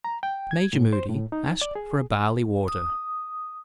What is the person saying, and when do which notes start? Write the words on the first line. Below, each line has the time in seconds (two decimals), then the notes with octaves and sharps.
Major Moody asked for barley-water.
0.04 A#5
0.23 G5
0.51 G#6
0.73 A2
0.93 C5
1.09 A2
1.32 D#4
1.61 D5
1.75 G#4
2.68 D#6